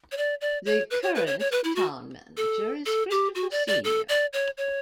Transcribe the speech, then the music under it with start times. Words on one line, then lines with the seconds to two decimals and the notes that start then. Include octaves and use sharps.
The current Town Manager is Christopher Senior.
0.12 C#5
0.18 D5
0.41 D5
0.66 C#5
0.91 B4
1.03 C#5
1.15 B4
1.27 C#5
1.40 C#5
1.52 B4
1.64 E4
1.76 F#4
2.37 A4
2.86 A4
3.11 G4
3.35 F#4
3.51 D5
3.68 D5
3.84 A4
4.09 D5
4.33 C#5
4.58 C#5